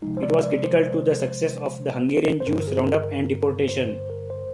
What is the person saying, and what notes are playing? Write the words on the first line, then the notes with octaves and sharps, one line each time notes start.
It was critical to the success of the Hungarian Jews roundup and deportion.
C3 F3 G#3 D#4
C5
D5
D5
C5
C5
G2 D3 G3 A#4
G#4
A#4
C5
C5
A#4
C5